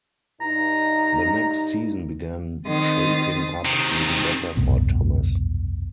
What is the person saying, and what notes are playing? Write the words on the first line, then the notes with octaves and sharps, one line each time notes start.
The next season began shaping up even better for Thomas.
G2 D#4 A#5
D#3 C4 C6 D#6 A6
C3 D#3
F1 C2 G2 B2